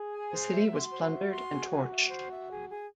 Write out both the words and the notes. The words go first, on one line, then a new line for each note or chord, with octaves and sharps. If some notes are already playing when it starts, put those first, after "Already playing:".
The city was plundered and torched.
Already playing: G#4
G#5
C5
E5
F#4 C6
C5
E5
C6
G#4
G#4
E5
C5
E5
G#4
G#4